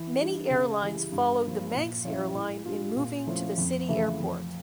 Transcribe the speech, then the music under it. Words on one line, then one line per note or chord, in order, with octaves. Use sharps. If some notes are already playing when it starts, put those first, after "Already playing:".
Many airlines followed the Manx airline in moving to the City airport.
Already playing: E3
G3 D4
C#3
E3 G3
G2
F3 A#3
A#2
F3 C#4 E4
A2
G3 D4 F4
A#2
F3 A3 C#4 E4
F2
C#3 E3 A3 E4
F2